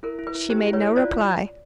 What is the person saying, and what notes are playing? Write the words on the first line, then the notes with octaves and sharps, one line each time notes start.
She made no reply.
E4 A#4
E4
B4
E4
G4 C5
E4
B4 C#5
E4
F4 C5 D5